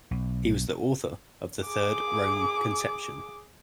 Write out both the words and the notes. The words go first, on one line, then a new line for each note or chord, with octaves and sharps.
He was the author of the Third Rome conception.
B1
G#4 D6